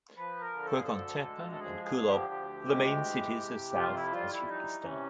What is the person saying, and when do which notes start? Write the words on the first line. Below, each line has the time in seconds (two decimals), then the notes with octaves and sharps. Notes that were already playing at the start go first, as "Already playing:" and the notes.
Qurghonteppa and Kulob are the main cities of south Tajikistan.
0.16 F3 B4
0.41 A#4
0.53 D3
0.65 A4
0.74 G#4
0.83 A4
0.88 D2
1.25 G#3
1.52 A4
1.60 F3 G#4
1.85 G#4
1.96 D3
2.08 G4
2.33 D2
2.68 G#3
3.04 E3
3.40 C3
3.76 F2 F4
3.94 E4
4.12 G3 F4
4.30 E4
4.48 E3 D#4
4.84 C3 C#4